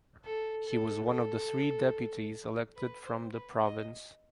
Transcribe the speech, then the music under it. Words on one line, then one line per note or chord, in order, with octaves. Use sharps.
He was one of three deputies elected from the province.
A4
A4
A4
B4
C5
B4
D#5